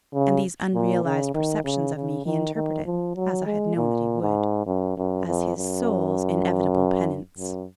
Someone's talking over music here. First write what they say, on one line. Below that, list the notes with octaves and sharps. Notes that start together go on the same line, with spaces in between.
And these unrealized perceptions of me he interpreted, as I had known that he would, as his soul's inevitable penance.
C#3
A#2
C#3
D#3
C#3
C#3
D#3
D#3
F3
F#3
G#3
A#2
G#2
F#2
F#2
F2
F#2
F#2